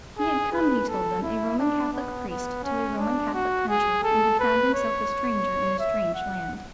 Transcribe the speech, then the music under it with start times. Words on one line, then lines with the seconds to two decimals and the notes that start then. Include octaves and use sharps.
He had come, he told them, a Roman Catholic priest to a Roman Catholic country, and had found himself a stranger in a strange land.
0.18 G#4
0.53 B4
0.88 A4
1.23 E4
1.58 D4
1.93 B3
2.29 B3
2.64 C#4
2.99 D4
3.34 F#4
3.69 G#4
4.04 A4
4.39 B4
4.74 C#5
5.80 E5
6.15 F#5